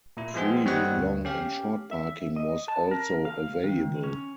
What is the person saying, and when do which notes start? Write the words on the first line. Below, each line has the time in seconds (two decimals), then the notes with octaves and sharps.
Free long and short parking was also available.
0.17 A#2 E4
0.34 F3 G#3 B3 C4 G#4
0.65 G2 G3 C4 C#5 D#5 F#5
0.97 D2
1.25 C#4 G4 F5
1.91 E5
2.36 D#5
2.68 A5
2.91 A#4
3.25 F5
3.64 D#3
4.04 C#4